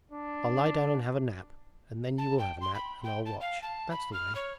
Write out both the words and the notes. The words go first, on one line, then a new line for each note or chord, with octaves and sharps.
I'll lie down and have a nap, and then you will have a nap and I'll watch--that's the way.'
D4
A5
G5
C6
B5
G5
A5
F5
A5
B5
F6
C#5